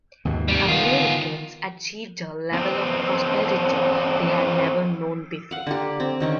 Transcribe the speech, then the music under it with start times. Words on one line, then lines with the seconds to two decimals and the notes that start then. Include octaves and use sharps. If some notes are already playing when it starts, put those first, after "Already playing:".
Americans achieved a level of prosperity they had never known before.
0.25 D#2 G#2 B2
0.48 C3 G3
0.68 D#3 B3 F4
2.53 E2 C4
5.51 F5 F#5
5.67 D3 A#3 G4
6.00 C4
6.20 D3 D#3 C#4